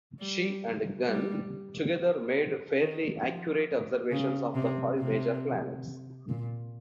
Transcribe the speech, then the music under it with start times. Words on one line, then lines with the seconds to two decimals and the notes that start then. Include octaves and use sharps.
Shi and Gan together made fairly accurate observations of the five major planets.
0.19 G3
1.07 G3
2.81 D#3
3.24 F3
4.11 C#3
4.55 C3
4.99 C3
6.29 A#2